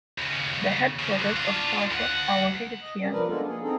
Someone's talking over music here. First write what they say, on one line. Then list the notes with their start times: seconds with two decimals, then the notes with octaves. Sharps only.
The headquarters of Parco are located here.
0.18 D#2 C#3
0.99 C#3 F3
1.20 D3 F#4
1.36 D4 F4
1.91 D2 F#5
2.82 D#5
3.01 C3 G3 A#3 C#4 D4
3.12 F3 A#4 B4 D5
3.28 G#3 A#3 B3 D4 F4 A4
3.47 G#4
3.63 C4 D#4 G#4 A4